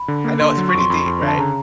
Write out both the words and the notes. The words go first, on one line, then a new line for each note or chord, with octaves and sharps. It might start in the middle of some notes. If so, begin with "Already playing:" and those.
I know it's pretty deep, right?
Already playing: B5
D3
A#3
D3 C6
F#3
C#6
F2
C6
F2 B5
F2
D3
A5
C#3 A#5